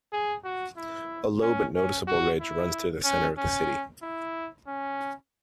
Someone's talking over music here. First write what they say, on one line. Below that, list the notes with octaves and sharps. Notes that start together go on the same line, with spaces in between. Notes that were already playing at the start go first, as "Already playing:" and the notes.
A low but noticeable ridge runs through the center of the city.
G#4
F#4
E4
C#4
C#4
F#4
E4
C#4
C#4
E4
C#4